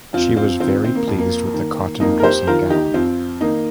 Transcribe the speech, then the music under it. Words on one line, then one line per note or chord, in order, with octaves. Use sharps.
She was very pleased with the cotton dressing gown.
F2 C4 F4
C4 F4
D#3 C4 F4
C4
A#3
F2
A#3
D#3
F2 A#3 D#4
A#4
G4 C5
D#3 F4 A#4
D#4 G4
F2 C4 F4
D#3 A#3 D#4